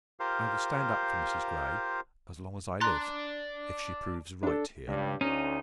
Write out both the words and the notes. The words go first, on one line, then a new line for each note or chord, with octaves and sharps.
I will stand up for Mrs Grey, as long as I live, if she proves right here.
F4 G4 A#4 C5 F5
D5 A5 A#5 C6 F#6
D4 A4
C#2 G2 G3
D2 C#4 D#4